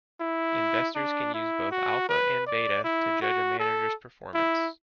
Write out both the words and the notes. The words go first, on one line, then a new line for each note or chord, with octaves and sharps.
Investors can use both alpha and beta to judge a manager's performance.
E4
D4
E4
F#4
B4
D5
E4
F#4
A4
E4